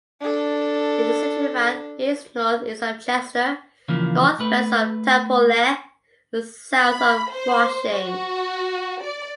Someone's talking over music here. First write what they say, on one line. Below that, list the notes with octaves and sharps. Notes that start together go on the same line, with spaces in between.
It is situated about east-north-east of Chester, north-west of Tarporley, and south of Frodsham.
D4 A4
C#3 E3 F3 A#3
A3 B4
B5
C5
F#4
D5